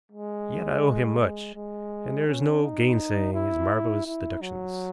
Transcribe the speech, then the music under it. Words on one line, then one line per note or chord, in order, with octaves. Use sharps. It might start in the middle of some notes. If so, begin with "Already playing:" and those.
Yet I owe him much, and there is no gainsaying his marvelous deductions.
G#3
G#3
G#3
C#4
D#4
E4
E4
F#3